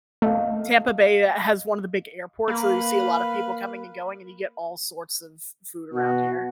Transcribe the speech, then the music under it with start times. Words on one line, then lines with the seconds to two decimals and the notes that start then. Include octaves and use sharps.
Tampa Bay has one of the big airports. So you see a lot of people coming and going and you get all sorts of food around here.
0.22 A3 D#5 F5
2.48 A#3 B4 F5
5.93 B2 F#4